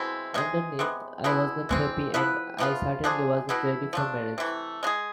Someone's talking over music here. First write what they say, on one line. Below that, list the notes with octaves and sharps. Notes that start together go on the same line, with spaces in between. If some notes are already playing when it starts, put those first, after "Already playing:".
Underneath, I wasn't happy and I certainly wasn't ready for marriage.
Already playing: B2 G#3 C4 E4
C3 G#3 D4 G#4
C3 G#3 B3
B2 G#3 B3 E4
E3 G#3 C4
F3 B3 E4 B4
C3 F3 B3 F4
F3 G#3 D4 G#4
B2 B3 E4
F3 A3 D4
C3 E3 A3
G#3 D4 G#4